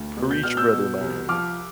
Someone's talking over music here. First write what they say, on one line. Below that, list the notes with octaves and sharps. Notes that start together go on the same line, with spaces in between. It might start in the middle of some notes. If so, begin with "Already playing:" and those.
preach, brother man.
Already playing: D2
B2
G6
B2 F6
E6 G6
B2
C2
F3 D6 F6